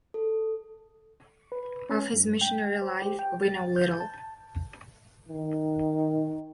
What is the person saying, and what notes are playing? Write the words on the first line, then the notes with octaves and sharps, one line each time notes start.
Of his missionary life we know little.
A4
B4
C#4
G2
G5
C5
G4
G5
A6
G6
A5
D#3